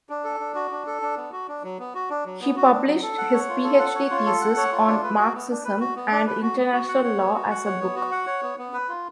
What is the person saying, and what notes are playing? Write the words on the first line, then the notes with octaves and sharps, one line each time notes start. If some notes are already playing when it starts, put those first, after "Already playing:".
He published his PhD thesis on Marxism and international law as a book.
D4
A4
D4
F#4
D4
A4
D4
B3
F#4
D4
F#3
B3
F#4
D4
F#3
B3
F#4
D4
F#3
A4
F#5
C#5
F4
A4
F#5
C#5
F4
A4
F#5
C#5
F4
D4
B4
F#4
B3
D4
B4
F#4
B3
D4
B4
F#4
B3
F#4
F#5
C#5
B3
F#4
F#5
C#5
B3
F#4
F#5
C#5
B3
B3
B4
F4